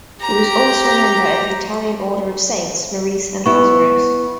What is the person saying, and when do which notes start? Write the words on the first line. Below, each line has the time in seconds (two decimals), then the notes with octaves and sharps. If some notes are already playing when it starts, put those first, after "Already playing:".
He was also a member of the Italian Order of Saints Maurice and Lazarus.
0.21 G4 A#5
3.46 B3 E4 C#6